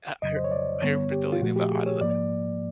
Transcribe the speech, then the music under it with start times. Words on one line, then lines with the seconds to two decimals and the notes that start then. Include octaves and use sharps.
uh, I r I remember the only thing about Out of the
0.22 F2 C#3 F#3 D#5
0.37 C5
0.44 C#5
0.52 D5
0.81 G2 D3 G3 B3 C#5
1.12 G4
1.32 F4
1.41 A#2 F3 A3 F#4
1.56 G4
1.72 G#4
1.86 C#5
2.01 G#2 F3 A#3 D5